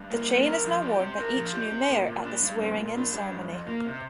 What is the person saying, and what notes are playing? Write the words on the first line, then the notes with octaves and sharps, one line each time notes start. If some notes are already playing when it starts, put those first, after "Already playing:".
The chain is now worn by each new mayor at the swearing-in ceremony.
Already playing: G2
A#3
G3
A#4
F3
G4
C4
A#4
F3
G4
C4
A#2
A#2
D4
G3
A#2
A#2
D4
G3
F2
F2
A#3
C3